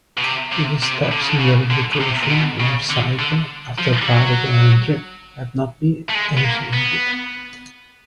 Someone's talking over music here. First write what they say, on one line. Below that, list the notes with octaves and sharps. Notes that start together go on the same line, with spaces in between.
The steps in the replication lifecycle after particle entry have not be elucidated.
B2
C3
C3
C3
D3
C#3
D3
C#3
D3
C3
A#2
B2
C#3
D3
D3
F3
G3
F#3
A3
G#3
B3
A#3
B3